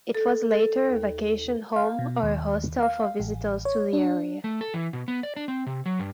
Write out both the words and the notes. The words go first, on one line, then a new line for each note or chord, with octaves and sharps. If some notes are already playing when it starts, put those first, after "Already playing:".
It was later a vacation home or hostel for visitors to the area.
A4
A4
D#2
F5
B2
D#2
F5
A1
C#5
D4
A3
A4
E3
B2
B3
D5
D4
C4
C3
F#3
G2